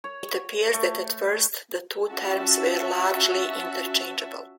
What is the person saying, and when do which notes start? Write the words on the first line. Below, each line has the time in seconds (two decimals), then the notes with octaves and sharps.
It appears that at first the two terms were largely interchangeable.
0.04 C#5
0.74 A3
2.10 C#4 F4 F#4 E5 A5